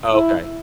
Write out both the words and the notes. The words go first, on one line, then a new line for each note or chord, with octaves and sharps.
Oh, okay.
E4